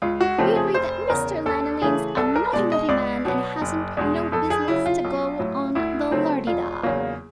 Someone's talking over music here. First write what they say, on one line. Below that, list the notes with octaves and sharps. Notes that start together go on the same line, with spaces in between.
We agreed that Mr. Lanoline's a notty, notty man, and hasn't no business to go on the lardy-da.
C#2 F4
F#4
C#3 F3 A3 C4 G4
G#4
F1 C5
E2 C#3 A#4
D#2 A4
C#3 E3 A3 G#4
C2 A4
A#4
B2 G#3 D5
D#5
C#2 D5
B2 F#3 B3
F#1
E2 B2 G#3
F2 A4
G#4
C#3 F#3 E4
F4
B1
A2 F#3
D2 E4
C#3 F#3 A3 C4
E1 F4
E2 C#3 F#3 A#3